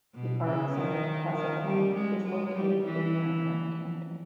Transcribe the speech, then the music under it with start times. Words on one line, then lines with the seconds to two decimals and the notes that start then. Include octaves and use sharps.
The art site of Pasaquan is located in Marion County.
0.14 B2
0.44 C#3
0.74 D#3
1.34 D#3
1.64 G3
1.94 G#3
2.24 G#3
2.54 G3
2.84 E3